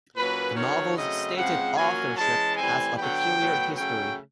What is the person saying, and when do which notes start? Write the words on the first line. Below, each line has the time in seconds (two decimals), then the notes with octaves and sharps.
The novel's stated authorship has a peculiar history.
0.16 A#2 F#3 A#3 C#4 B4
0.56 D#3 F#3 B3 C#5
0.96 C#3 F#3 A3 C4 D#5
1.37 C#3 F3 G#3 C4 F#5
1.77 A#2 F#3 A#3 C#4 G#5
2.17 E3 G#3 C#4 A5
2.57 A2 E3 G3 C4 G#5
2.97 D3 F#3 B3 G5
3.38 A2 F#3 B3
3.77 C#3 F#3 A3 C#4 G5